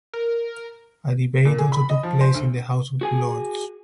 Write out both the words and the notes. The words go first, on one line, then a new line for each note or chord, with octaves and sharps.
A debate also took place in the House of Lords.
A#4
A#2
G#4
B5
D#5
F3
C5
D2
F#4 G#4 G#5